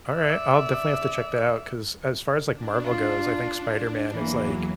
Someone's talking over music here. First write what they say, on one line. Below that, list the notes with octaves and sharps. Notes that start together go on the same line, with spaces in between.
All right, I'll definitely have to check that out, 'cause as far as, like, Marvel goes, I think Spider-Man is, like,
D5 E5
D4
F4
E2 E3 F#3 A#3